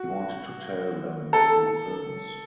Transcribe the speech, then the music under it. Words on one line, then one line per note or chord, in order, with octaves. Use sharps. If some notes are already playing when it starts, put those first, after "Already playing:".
He wanted to tell them through films.
Already playing: F#4
A4